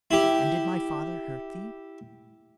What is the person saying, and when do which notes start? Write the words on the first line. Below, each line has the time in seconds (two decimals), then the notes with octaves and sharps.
"And did my father hurt thee?"
0.11 E4 G4